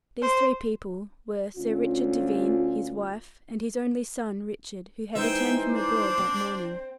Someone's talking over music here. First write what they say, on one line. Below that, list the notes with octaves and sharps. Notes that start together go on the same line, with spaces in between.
These three people were Sir Richard Devine, his wife, and his only son Richard, who had returned from abroad that morning.
C5
D2 C#4 D4 F4
E3 G#3 D#4 C5 E5 G5
D4 D6
C4